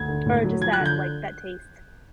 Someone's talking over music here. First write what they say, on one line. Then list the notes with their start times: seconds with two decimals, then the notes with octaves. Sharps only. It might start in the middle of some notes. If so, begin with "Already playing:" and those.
or just that, like, that taste.
Already playing: D2 G#6
0.08 D3
0.26 A2
0.44 F#3
0.61 F3 G#6
0.73 F#6
0.80 D3
0.86 G6